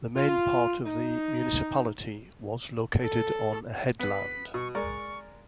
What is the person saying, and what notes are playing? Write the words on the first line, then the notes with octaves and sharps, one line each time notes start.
The main part of the municipality was located on a headland.
F4
D#4
A4
B3 B4 B6
B2 C#6
G#3 A#4 D5 C#6